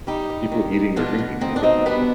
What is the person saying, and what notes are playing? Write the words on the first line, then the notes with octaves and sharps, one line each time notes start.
People eating or drinking in a kitchen.
G3 D#4 G4
G3
D#3
G3
B2 D4 F4
B2
B2 C4 D#4
D4
B2 C4 D#4
G3 B3 D4